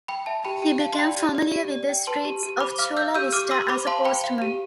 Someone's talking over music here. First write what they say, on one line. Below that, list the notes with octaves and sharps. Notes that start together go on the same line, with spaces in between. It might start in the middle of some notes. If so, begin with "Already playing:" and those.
He became familiar with the streets of Chula Vista as a postman.
G5 B5
E5 A5
G4 G5 B5
G4 G5
F5 A5
C6
D5 G5 B5
G4
D5
G4
D5
G5
B4 A5 C6
G4
G4
C5 B5 D6
F5 D6 F6
F5 E6 G6
G4 E6 G6
G4 D6 F6
G4 C6 E6
C5 B5 D6
F5 A5 C6
C5 G5 B5
F5
G4